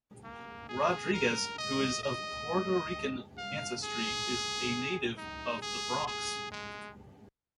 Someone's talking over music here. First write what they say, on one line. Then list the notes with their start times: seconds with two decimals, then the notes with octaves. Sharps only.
Rodriguez, who is of Puerto Rican ancestry is a native of the Bronx.
0.24 A#3
0.69 G#4
1.14 A#4
1.58 D#5
2.03 D#5
3.38 F5
3.83 G#4
5.17 D#4
5.62 G#4
6.07 G#4
6.52 G#3